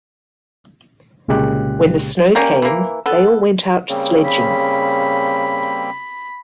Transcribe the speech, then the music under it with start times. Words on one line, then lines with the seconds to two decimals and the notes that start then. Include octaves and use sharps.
When the snow came, they all went out sledging.
1.28 C2 A#2 C#3 G#3 G4 F#6
2.35 G3 A#3 C#4
2.62 E3 A#3
3.06 B3 A4
3.90 C#3 G3 A#3 C4
4.26 B5